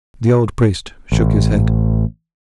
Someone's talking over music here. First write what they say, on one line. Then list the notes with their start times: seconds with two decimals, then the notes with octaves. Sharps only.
The old priest shook his head.
1.12 A1